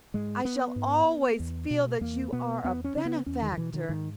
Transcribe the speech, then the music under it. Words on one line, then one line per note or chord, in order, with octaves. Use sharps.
I shall always feel that you are a benefactor.
G#2 G#3
B3
G#2
E2
B2
E2 A#3
B2 B3
E2 B3
C#4
C#3 C#4
B3
E2 C#4
D#3
D#3
B2 E3
D#3
G#2 D#3